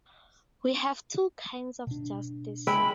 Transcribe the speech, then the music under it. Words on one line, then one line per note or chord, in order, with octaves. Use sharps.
We have two kinds of justice.
B2 D4
G#3 E5 G5 B5